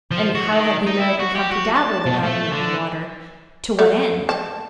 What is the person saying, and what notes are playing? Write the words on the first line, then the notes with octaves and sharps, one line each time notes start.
And how had the American come to dabble the garment in water--to what end?
F3
F#4
D#3
D#4
E4
F#4
G4
F#4
A5
B2
A3
D3
A3
A5